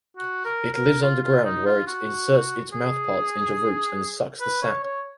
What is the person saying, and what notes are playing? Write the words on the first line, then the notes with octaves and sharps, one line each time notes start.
It lives underground where it inserts its mouthparts into roots and sucks the sap.
F#4
A#4
A#4
F4
F4
D#4
F4
F#4
G#4
B4
C#5
C#5